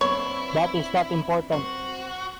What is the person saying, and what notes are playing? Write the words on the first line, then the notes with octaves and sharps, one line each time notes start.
That is not important.
B3 C4 D4 E4 C#5
C4 F#4 C5